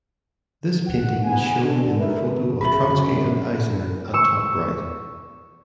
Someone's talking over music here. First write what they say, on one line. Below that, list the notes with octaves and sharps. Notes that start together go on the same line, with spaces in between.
This painting is shown in the photo of Trotsky and Eisner at top right.
F#5
G#2 B3 F#5 G#5
D3
A#4 B4 E5
F#2 G#4 E5 B5 F#7
C#6 E6